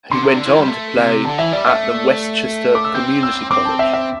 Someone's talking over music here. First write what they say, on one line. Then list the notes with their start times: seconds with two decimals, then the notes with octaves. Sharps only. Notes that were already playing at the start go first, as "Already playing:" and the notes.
He went on to play at the Westchester Community College.
0.11 D3 C6
0.23 C3
0.34 D3
0.46 E3
0.57 G3
0.68 A3
0.96 C3
1.25 D3 A5
1.38 E3 E5
1.52 G3 D5
1.67 A3 E5
2.75 D6
2.85 E6
2.95 C4 G6
3.23 E6
3.51 C4 D6
3.65 A5
3.79 E5
3.93 E5